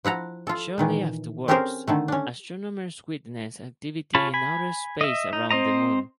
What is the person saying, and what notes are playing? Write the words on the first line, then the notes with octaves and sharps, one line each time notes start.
Shortly afterwards, astronomers witness activity in outer space around the moon.
F3 E4 F#5 A#5
F4 A4
A#2 D#3 E3
C4 C#4 G4 G#4 A#4 C5
D3 D#3 A3
C#4 D4
F4 G#4 C#5 A5 B5
G#5 B5
D#5 E5
D#4
C4 C5 D#5 A#5